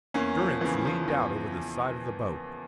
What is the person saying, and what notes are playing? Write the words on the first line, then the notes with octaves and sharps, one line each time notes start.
Durrance leaned out over the side of the boat.
E2 A#3 C#4
F3
C#3 E3
F3
E2